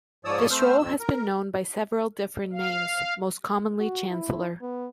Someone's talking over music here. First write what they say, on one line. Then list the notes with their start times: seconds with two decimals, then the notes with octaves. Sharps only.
This role has been known by several different names, most commonly Chancellor.
0.25 G#2 F3 C#5 D5 D#6 E6
0.51 A3 C4 C5 E6 F6
0.78 F2 E6
1.00 A#4
2.53 F5
3.80 F#4
4.09 E4
4.61 B3